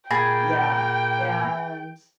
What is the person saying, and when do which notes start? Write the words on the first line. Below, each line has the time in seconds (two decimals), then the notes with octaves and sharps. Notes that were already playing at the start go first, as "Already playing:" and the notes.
Yeah, and d
0.11 A#2 A#3 G#4 G5 B5 A6 A#6